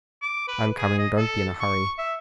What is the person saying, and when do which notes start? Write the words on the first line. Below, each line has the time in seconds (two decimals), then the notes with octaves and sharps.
I'm coming; don't be in a hurry.
0.22 D6
0.48 B4
0.77 G#4
0.98 D#5
1.17 A4
1.60 C#6
1.98 E5